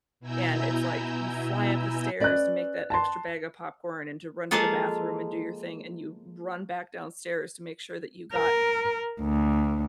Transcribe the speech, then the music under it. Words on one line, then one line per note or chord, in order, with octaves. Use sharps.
and it's, like, you fly up the stairs to make that extra bag of popcorn and to run to the bathroom and do your thing and you run back downstairs to make sure that you got
B2 E4 G#5 A#5 E6 G6
C#4 B4 D5 D#5 F#6
A5 C6
F3 G#3 A#3 F4 G#4 A4
A#4
D2